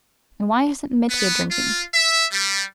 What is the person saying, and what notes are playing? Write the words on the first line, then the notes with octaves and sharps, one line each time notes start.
And why isn't Mitya drinking?
B3
F4
E5
G3